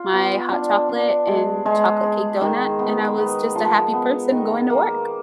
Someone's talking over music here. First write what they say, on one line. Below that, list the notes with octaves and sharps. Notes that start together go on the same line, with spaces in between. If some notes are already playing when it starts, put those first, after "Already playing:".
my hot chocolate and chocolate cake donut, and I was just a happy person going to work.
Already playing: F4
B3
D4
D4
G#3
G#3
G#4
D#3
B3
B3
F3
B3
D#3
A#3